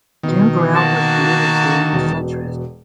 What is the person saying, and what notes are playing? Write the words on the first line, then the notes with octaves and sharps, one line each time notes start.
Timbrell was viewed as being a centrist.
B2 D#3 B3
A#3 F#4 A5
E1 B2